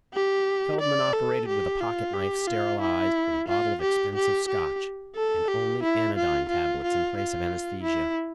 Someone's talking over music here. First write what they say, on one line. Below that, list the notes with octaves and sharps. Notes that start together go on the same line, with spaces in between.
Feldman operated with a pocketknife sterilized in a bottle of expensive Scotch and only anodyne tablets in place of anesthesia.
G4
D5
A4
G4
F4
G4
F4
E4
F4
G4
G4
G4
A4
G4
E4
F4
F4
F4
F4
E4